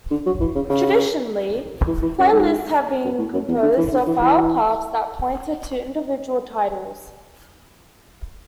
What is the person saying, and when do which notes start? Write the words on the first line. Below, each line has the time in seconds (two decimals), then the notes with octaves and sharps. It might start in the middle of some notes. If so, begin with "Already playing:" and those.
Traditionally playlists have been composed of file paths that pointed to individual titles.
0.11 D3
0.26 F#3
0.40 E3
0.55 C#3
0.69 C#3
1.87 E3
2.02 E3
2.19 F#2
2.31 G#2
3.04 F#2
3.19 A2
3.33 F#2
3.48 E2
3.62 D3
3.78 E3
3.92 D3
4.07 E3
4.22 E3